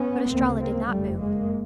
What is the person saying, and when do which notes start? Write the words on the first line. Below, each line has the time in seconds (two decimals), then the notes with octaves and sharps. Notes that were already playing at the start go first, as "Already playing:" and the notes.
But Estralla did not move.
Already playing: B3 C#4
0.32 D2 C#3 A#3 C4
0.61 A#3 C4
0.90 F#1 F2 C#3 G3 A3
1.19 G#3 A#3